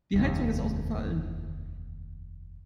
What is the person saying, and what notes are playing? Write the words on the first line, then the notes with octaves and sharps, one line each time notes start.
Die Heizung ist ausgefallen.
F1 D#2 C3